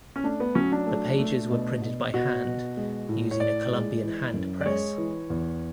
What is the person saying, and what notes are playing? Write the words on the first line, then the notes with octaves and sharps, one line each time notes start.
The pages were printed by hand using a Columbian hand press.
C#4
A3 D4
B3
F#3 C#4
D4
A3
A3
B2
B2
B2 F#4
B2
G#3
A2
C#5
A2 D5
G#3
E3
F#2
D5
G#3 C#5
E3
E2